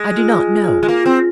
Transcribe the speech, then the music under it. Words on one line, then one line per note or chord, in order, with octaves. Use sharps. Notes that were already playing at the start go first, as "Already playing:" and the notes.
"I do not know."
Already playing: G#3
F4
F4
G#3
A#3 F4
C4